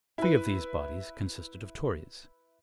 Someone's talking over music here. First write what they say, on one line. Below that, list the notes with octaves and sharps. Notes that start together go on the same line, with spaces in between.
Three of these bodies consisted of Tories.
E4 B4